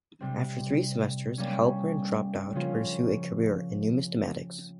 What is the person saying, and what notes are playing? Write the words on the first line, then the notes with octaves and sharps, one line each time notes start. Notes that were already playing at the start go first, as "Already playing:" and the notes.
After three semesters, Halperin dropped out to pursue a career in numismatics.
C3 G3 C4
G3 A#3 C#4
C#3 F3 A#3 C#4 F4